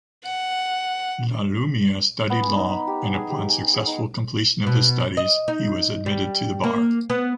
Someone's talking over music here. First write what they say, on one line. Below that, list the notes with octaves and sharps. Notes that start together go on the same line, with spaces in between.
La Lumia studied law, and upon successful completion of his studies, he was admitted to the bar.
F#5
B3
G#5
D#4
B5
G4
G#5
G#4
G4
G#5
G#4
D#4
B2
D#5
D#4
G3
A#3
B3